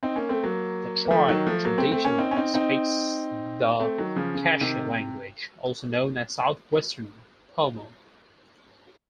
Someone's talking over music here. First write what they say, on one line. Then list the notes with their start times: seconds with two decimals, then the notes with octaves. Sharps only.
The tribe traditionally speaks the Kashaya language, also known as Southwestern Pomo.
0.03 C4 D#4
0.16 A#3 C#4
0.29 A3 C4
0.43 F#3 A#3
1.05 A#3
1.11 F3 A3
1.29 D#3 F#3
1.47 F3 A3
1.65 F#3 A#3
1.78 A3 C4
1.91 A3 C4
2.05 A#3 C#4
2.18 C4 D#4
2.31 C#4
2.36 C4 D#4
2.54 C4 D#4
3.80 A3 C4
3.98 D#3 F#3
4.16 C#3 F3
4.34 C#3
4.61 C3 D#3
4.89 C3